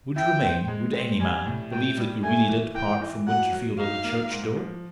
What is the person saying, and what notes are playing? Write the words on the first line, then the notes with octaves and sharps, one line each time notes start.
Would Romayne--would any man--believe that you really did part from Winterfield at the church door?
E4 G5
C4
G#3
C4
G3 G#5
A2
A2 G5
G3
A3 G#5
E3
E3 G5
E3
F#3 F#5
F#3
D#4 F5
A#3
G#2
F3